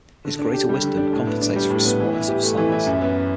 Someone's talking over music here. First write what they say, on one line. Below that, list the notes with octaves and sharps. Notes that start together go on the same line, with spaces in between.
His greater wisdom compensates for his smallness of size.
D3
D4
G4
G3
D3
D4
A2
B3
D4
G3
A2
B3
E3
E4
G4
A3
E3
E4
F#2
B3